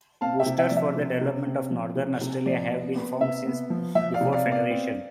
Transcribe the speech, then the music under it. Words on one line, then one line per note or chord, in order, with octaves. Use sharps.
Boosters for the development of Northern Australia have been found since before Federation.
C4 F5 A5
E5 G5
C3
E5 G5
F3 D5
E5
C3
C3
C4
F3
C3
C3
F3 D5
B3
B3
C3 E5
B3
F3
F3 E5
D5 F5
C3
D5 F5
B3
D5 F5
C4